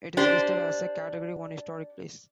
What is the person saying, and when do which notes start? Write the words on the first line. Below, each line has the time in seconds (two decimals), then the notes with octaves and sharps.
It is listed as a Category One Historic Place.
0.17 D4 G4 C5